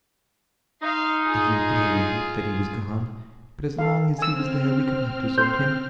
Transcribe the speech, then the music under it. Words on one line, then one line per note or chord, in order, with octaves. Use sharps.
Every day we hoped that he was gone, but as long as he was there we could not desert him.
D#4 F5 C6
F4 G#4
A4 F5
C4 G#5 E6 F6
C5 C6 G6